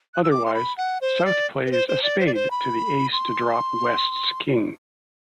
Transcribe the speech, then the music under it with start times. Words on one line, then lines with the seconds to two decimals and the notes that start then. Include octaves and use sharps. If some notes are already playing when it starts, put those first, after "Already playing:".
Otherwise, South plays a spade to the Ace to drop West's King.
0.14 F#6
0.23 E6
0.31 D6
0.46 C6
0.54 B5
0.77 F#5
1.01 C5
1.25 D5
1.66 B4
1.71 C5
1.88 C5
2.03 D5
2.19 C5
2.26 D5
2.34 C5
2.51 B5
3.12 C6